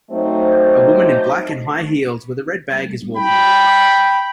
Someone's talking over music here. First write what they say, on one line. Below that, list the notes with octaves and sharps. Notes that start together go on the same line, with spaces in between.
A woman in black and high heels with a red bag is walking.
F#3 A3 C4 D#4 C5
G5 B5